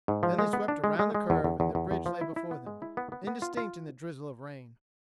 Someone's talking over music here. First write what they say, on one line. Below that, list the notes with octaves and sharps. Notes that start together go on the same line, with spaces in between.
Then they swept around the curve and the bridge lay before them, indistinct in the drizzle of rain.
G#2
F3
G#3
B3
D4
G#3
G#3
G#3
E2
E2
E2
E2
E2
F3
E4
E4
B3
G#3
E4
B3
B3
B3
F4
F4